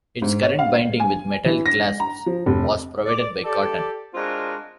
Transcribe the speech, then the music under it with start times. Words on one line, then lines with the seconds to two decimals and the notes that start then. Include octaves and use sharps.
Its current binding, with metal clasps, was provided by Cotton.
0.22 G#2
0.42 C#5
0.59 F5
1.00 G#5
1.46 E3
1.66 A#6
2.00 A#5
2.26 F3
2.46 F1
3.05 D5
3.43 G4 A4 D5
4.14 G#3 C4 D4 F4 F#4 A#4